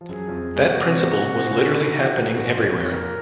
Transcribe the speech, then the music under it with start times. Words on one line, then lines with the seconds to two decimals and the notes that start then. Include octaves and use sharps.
That principle was literally happening everywhere.
0.01 F3
0.09 F#2 F#3 G#4
0.28 F2 F3
0.56 G#3
0.66 A#2 A#3 F#4
0.84 C3 C4
0.98 C4
1.03 A#2 A#3
1.23 C3 C4
1.51 C#3 C#4
1.79 D#3 D#4 F#4
1.98 F3 F4
2.17 A#2 A#3
2.28 G#4
2.36 G#2 G#3 F#4
2.51 F#2 F#3 C5
2.64 C#5
2.74 F2 F3 C#5
2.93 A#2 A#3 A#4